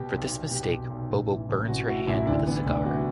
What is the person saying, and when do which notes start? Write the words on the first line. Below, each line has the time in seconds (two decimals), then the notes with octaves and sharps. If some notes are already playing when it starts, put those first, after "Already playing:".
For this mistake, Bobo burns her hand with a cigar.
Already playing: B2 G4
0.12 B1
0.32 B1
0.51 B2 G4
0.71 B1
0.90 B1
1.10 A1
1.29 E3
1.49 A1
1.68 A1 F#4
1.88 A2 F#4
2.07 A1 E4
2.27 D2 D4
2.46 E3 B3
2.66 D2 D4
2.85 C3 F#4